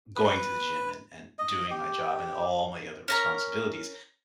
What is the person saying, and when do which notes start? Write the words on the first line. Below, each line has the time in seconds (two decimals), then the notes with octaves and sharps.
going to the gym and and doing my job and all my other responsibilities,
0.16 B4
1.39 D#5
1.71 G4
3.08 C#4 A#4 A#5